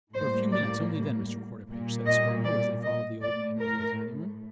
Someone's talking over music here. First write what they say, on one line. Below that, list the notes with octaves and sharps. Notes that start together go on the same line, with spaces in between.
"For a few minutes only then, Mr. Quarterpage," said Spargo as they followed the old man into his dining-room.
A2 G3 A#3 C5
D5
A#2 G3 A#3
D#5
D5
D#5
A2 A3 D5
A#4